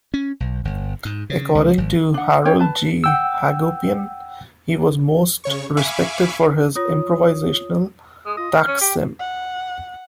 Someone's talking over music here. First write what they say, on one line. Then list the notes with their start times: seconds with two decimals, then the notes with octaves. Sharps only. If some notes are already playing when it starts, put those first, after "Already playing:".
According to Harold G. Hagopian, he was most respected for his improvisational "taksim".
0.14 C#4
0.40 B1
0.65 G1
1.05 G#2
1.30 C#3
1.55 C#2
1.78 G#1
2.14 D4 F#5
2.45 C#4 C5 C#5 G5
2.59 B4 A5
3.04 F#5 G5 E6
5.44 C#3 C#5 C#6
5.77 E5 F5 G#5 B5 C#6 D6
6.76 F4 C#5 D#6
8.26 G#3 D#6
8.37 F4 D#5
8.55 F6
8.68 C#4
8.81 G4 G5
9.20 F#5